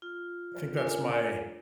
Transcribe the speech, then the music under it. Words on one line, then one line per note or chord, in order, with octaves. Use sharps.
I think that's my
F4
D4 F4 A#4 G#5